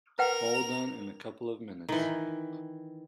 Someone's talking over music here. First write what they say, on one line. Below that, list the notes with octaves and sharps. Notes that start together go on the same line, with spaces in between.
All done in a couple of minutes.
A#4 B4 F#5 G5 F7
D#3 E3